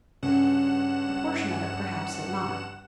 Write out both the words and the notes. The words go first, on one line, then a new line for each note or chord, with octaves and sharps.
A portion of it perhaps had not.
G2 C#3 F#5 E7